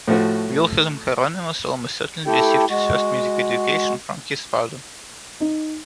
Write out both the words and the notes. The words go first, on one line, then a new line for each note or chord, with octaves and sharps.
Wilhelm Hieronymus almost certainly received his first music education from his father.
A2 F3 A3 F#4
A3 E4 G4 A4 G5
G#3 F#4
D#4